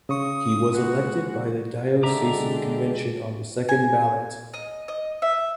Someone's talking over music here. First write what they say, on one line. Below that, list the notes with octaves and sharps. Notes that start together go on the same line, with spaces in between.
He was elected by the diocesan convention on the second ballot.
C#3 C#6 D#6
G#3 F#4 B4
D3 G#3 D4 G4 E5 A#5 D6
G#5
D#5
D#5
E5